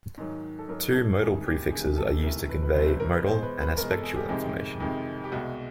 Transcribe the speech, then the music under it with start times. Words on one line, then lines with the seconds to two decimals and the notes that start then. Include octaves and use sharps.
Two modal prefixes are used to convey modal and aspectual information.
0.17 G#2 D#3 F#3
0.59 A4
0.68 G#2 D#3 F#3 A#4
0.94 A4
1.20 D2 C3 D#3 G3 G#4
1.46 G4
1.71 D2 C3 D#3 G3 G#4
1.98 A4
2.23 C#2 C3 E3 A3 A#4
2.49 B4
2.63 B4
2.74 C#2 C3 E3 A3 C5
2.87 B4
3.00 A#4
3.14 B4
3.26 E2 B2 G#3 C5
3.43 B4
3.61 B4
3.77 E2 B2 G#3 A#4
3.91 A4
4.03 G#4
4.16 G4
4.29 F2 C3 D#3 G#3
4.80 F2 C3 D#3 G#3
5.24 G4
5.32 C2 B2 G#3 F#4